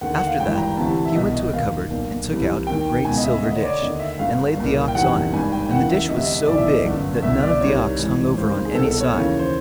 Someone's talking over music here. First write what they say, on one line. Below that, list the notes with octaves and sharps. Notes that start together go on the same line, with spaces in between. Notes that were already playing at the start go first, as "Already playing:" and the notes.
After that, he went to a cupboard and took out a great silver dish, and laid the ox on it; and the dish was so big that none of the ox hung over on any side.
D#2 D3 F#5
F#5
F5
G#1 G2 E3 G5
A#5
D2 C3 E3 A5
E5
C2 B2 D#5
D#5
D#2 D#3 F5
B1 A#2
C2 C3 E3
D#2 D#3 G5
C#2 B2 G#5
D#5
E5
D2 D3 D#5
C#5
D5
D#2 D3 D#5
E5
E5
G1 G2 D3 F5
C2 A#2
G5
F#1 E2 C3 D#3 F#5
G#1 G2 D#3 G#5
G5
F1 D#2 C#3 E3 F#5
E5
E1 D2 C3 D#5
E5
D#5
B1 A2 E3 D5
E5
D#5
G1 F#2 D3
C2 B2 E5
D5
C2 C3 D#3 C#5
A1 G#2 E3
C#2 C3 D#3 C5
G#4
C2 B2 A4
A4
C#5
D#2 C#3 E3 C#5
C5